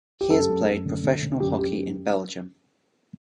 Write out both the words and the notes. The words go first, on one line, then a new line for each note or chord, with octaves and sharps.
He has played professional hockey in Belgium.
G4
F#2 A4
F#2
F#2
D3
D3
D3
F#2 G4
F#2 G4